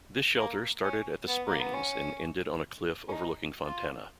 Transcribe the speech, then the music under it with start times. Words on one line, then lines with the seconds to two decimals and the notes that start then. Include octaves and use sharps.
This shelter started at the Springs and ended on a cliff overlooking Fontana.
0.36 A#3
0.82 C#4
1.28 B3
1.47 A#3
1.60 B3
1.74 C#4
3.09 C#4
3.12 D#4
3.59 F4